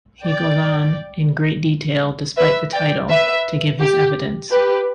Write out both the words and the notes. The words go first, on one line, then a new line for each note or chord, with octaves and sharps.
He goes on, in great detail-despite the title-to give his evidence.
D5 G5
B4 E5
D5 G5
B4 E5
G4
G4 B4